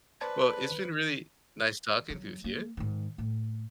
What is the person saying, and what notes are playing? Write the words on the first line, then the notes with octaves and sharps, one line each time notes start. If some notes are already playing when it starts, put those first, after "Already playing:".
Well, it's been really nice talking with you.
B4 C5 D5 A5
F#3
A#3
G#2 D#3
A2